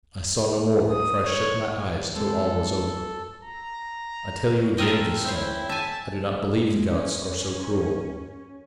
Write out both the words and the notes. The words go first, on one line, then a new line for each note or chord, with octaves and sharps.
I saw no more, for I shut my eyes till all was over. I tell you again, Giscon, I do not believe the gods are so cruel.
D#6
C#5
G#3 C4 D4 A4
A#5
C4 F4 A4 A#4 D#5 G#5
C4 C#4 E4 C5
E5 G#5 A5
G#3
C#4